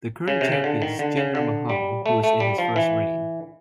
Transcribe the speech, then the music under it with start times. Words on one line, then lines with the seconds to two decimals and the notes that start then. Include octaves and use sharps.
The current champion is Jinder Mahal, who is in his first reign.
0.28 C#3
0.41 C3
0.52 C#3
0.64 D3
0.82 D#3
0.99 D3
1.17 C#3
1.35 D3
1.69 G3
2.06 A3
2.24 A3
2.40 G3
2.58 F3
2.76 E3